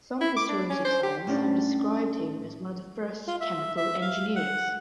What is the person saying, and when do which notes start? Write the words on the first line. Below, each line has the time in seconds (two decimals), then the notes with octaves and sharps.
Some historians of science have described him as one of the first chemical engineers.
0.21 E4
0.37 D6
0.49 D4
0.70 C#4
0.85 C5
1.03 G4
1.27 A2 C#4 D4
3.28 F4
3.41 E5
3.77 E5
4.02 F5
4.36 F#5